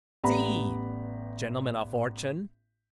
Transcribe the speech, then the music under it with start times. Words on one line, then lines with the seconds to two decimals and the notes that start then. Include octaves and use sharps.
Sea! Gentlemen o' fortune!
0.23 A1 B3 G4 D5 A#5 B5